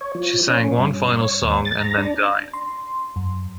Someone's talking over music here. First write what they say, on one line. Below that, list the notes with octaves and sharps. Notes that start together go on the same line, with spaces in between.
She sang one final song and then died.
C#5
F3
C#4
G2
C#5
D#2
A6
A#5
D4
C6
F#2